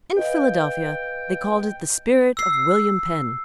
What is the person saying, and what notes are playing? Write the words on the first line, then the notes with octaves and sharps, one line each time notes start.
In Philadelphia they called it the spirit of William Penn.
B4 D#5 F5 G5
E6 C7